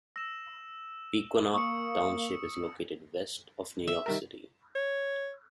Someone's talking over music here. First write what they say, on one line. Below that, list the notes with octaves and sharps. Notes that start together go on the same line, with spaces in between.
Pequannock Township is located west of New York City.
E6 A#6 E7
A#3 C#6 D#6 C#7
E5
D#3 G3 A#4
C#5